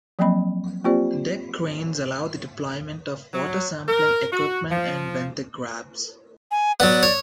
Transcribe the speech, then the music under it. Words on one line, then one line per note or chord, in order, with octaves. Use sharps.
Deck cranes allow the deployment of water sampling equipment and benthic grabs.
F3 F#3 A#3 C4 D#5 B5
A#3 C4 F4 G4 C5 D5
F#3
A#4
F#4
F3
G#5
F#3 B3 D5
C#5